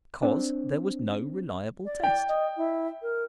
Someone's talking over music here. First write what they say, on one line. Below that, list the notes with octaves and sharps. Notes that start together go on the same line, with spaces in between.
Because there was no reliable test.
C4 D4
D5
G5
D#5
E4
A#4